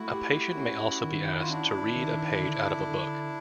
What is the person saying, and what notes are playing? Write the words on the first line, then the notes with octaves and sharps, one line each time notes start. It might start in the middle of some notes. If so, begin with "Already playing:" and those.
A patient may also be asked to read a page out of a book.
Already playing: A3 E4 F#4
G4
C#4
D#3
F4
C#4 D4 E4
D#3
D3
D3